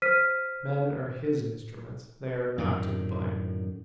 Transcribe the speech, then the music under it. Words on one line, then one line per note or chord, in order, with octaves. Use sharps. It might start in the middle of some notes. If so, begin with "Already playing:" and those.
Men are His instruments, they are not to blame.
C5 F6 B6 D#7
F#2 A2 D3 D#3